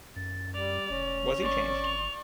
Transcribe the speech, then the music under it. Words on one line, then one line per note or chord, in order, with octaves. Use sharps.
Was he changed?
F#2 A6
G3 D5 F7
F1 C#4
G#1 D5 C#6
F7